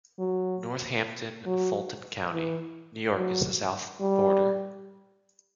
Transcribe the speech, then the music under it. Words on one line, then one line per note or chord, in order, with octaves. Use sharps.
Northampton, Fulton County, New York is the south border.
F#3
F#3
E3
F#3
G3